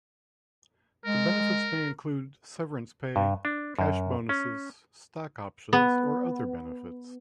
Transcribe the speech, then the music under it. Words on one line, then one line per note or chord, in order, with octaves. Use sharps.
The benefits may include severance pay, cash bonuses, stock options, or other benefits.
G#3 A#4
G2
D4
F#2
C#4
B3